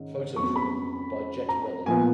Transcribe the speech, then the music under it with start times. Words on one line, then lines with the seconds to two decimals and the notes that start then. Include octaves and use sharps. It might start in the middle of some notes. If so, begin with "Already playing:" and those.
Photo trimming by Jett Rebel.
Already playing: G#2 D#3 C#4
0.36 F2 C#3 F#3 B3 C#6
0.56 B5
1.49 A#5
1.86 A#2 F3 B3 G#5